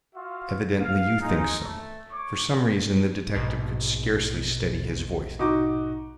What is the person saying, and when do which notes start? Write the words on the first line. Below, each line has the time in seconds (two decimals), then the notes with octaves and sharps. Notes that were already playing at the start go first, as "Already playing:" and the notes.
"Evidently you think so." For some reason the detective could scarcely steady his voice.
0.15 F4 F#4 E5 F5
0.80 F5
1.20 G#3 D#4
1.60 A3
2.10 C#5 C#6 D6
3.35 A#1 G#2 B2
5.39 D#4 F#4 D6